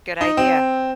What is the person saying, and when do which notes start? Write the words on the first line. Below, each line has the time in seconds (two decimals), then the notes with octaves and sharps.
Good idea.
0.21 D#4
0.37 C4